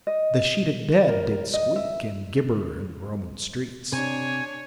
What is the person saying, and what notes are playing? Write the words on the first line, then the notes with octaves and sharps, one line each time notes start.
"The sheeted dead Did squeak and gibber in the Roman streets."
D#5
A#4
D#5
E5
C3 D4 C#5 G#5